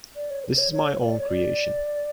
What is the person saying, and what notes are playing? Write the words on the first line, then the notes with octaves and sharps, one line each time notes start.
This is my own creation.
D5
C#5
A4
C#5
C#5
D5
C#5
D5